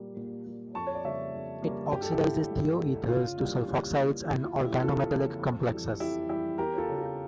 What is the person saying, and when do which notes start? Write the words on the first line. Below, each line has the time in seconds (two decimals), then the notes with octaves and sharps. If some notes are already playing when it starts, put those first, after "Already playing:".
It oxidizes thioethers to sulfoxides and organometallic complexes.
Already playing: A#2 G3 A#3
0.17 A#2
0.46 G3 A#3
0.75 F2 A5 C#6
0.87 C#5
0.95 D5
1.04 C#3 G3 A#3 C#5 E5
1.34 F2
1.62 C#3 G3 A#3
1.92 G2 G4
2.02 A4
2.12 E4 G4
2.21 D3 A3
2.51 G2
2.79 D3 A3
3.08 C#3 F4
3.37 E3 G3 A#3
3.67 C#3
3.96 E3 G3 A#3
4.25 E2 E4
4.45 F4
4.54 C#3 F3 A3
4.64 E4 G4
4.83 E2 F4 A4
5.13 C#3 F3 A3
5.42 F2
5.71 E3 G3
6.00 F2 E4 G4
6.29 E3 G3 E4 G4
6.58 E2 G4 A#4
6.78 F4 A4
6.88 C#3 E3
6.98 F4